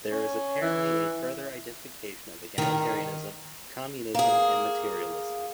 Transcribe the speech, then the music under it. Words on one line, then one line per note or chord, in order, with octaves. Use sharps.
There is apparently a further identification of egalitarianism, communism, and materialism.
C#4
E3
G2 D#3
A#3 G#4